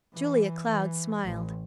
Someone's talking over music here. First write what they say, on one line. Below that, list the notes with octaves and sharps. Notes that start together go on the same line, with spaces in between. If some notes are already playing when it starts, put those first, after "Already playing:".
Julia Cloud smiled.
E3
E3
A1